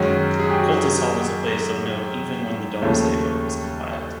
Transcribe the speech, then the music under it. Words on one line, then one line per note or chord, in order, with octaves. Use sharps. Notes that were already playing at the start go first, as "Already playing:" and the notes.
Coltishall was a place of note even when the Domesday Book was compiled.
Already playing: F#2 D#3 G#3 C#4 F#4
G#4
G4
F#4
D#2 C#3 F3 A3 C#4